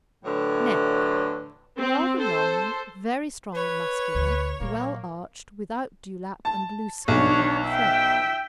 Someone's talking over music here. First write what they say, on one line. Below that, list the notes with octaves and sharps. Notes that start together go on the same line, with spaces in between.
NECK--Rather long, very strong and muscular, well arched, without dewlap and loose skin about the throat.
A2 D3 E3 F#3
C4
A4 C5
B4 C#5
D2
A#2 F#3 A#3
A5
B1 D4 C#5
E5 G5